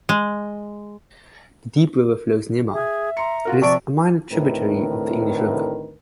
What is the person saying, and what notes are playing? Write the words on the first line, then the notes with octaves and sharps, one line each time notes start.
The Deep River flows nearby; it is a minor tributary of the English River.
G#3
G#4 E5
A#5 C6 C#7
F4 F#4 A#4
C3 F3 D5 A5 C#6 D7
D2 A2 D#3 C4 A#4 B4